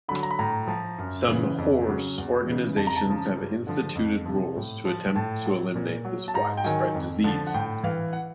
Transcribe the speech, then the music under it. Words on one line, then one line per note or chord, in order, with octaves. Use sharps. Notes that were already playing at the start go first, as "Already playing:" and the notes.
Some horse organizations have instituted rules to attempt to eliminate this widespread disease.
D3 F#3 B5
A#5
B5
A2 A#5
F3
F#2
C#3 E3
F2
C#3 F#3
E2
C#3 E3
F2 A5
A#5
A5
C#3 F3
G2
D3 F3
F2
C3 F3
A2
F3
A2 A5
F#3
A#2
F#3
A5
G#2 A#5
G5
D#3 F#3 G#5
F2
D3 F3
F#5
A2 G5
E3 F5
F#5